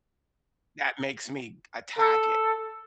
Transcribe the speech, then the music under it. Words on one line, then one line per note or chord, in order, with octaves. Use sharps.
that makes me attack it,
A4